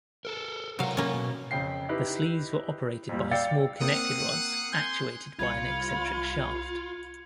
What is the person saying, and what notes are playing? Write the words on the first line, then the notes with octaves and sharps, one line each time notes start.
The sleeves were operated by small connected rods actuated by an eccentric shaft.
A4 A#4
C3 F#3 A#4 F5
A#3 C#4
B2
F2 C#3 G5 C7
D#4 E4 G4 B4
F2 A#2 G3
D5 F5 G5 E6 A6 C#7
A#3 C4 F5 F#5 D#6
G#5 C6 G6
C2 F4 B5 G#6 C#7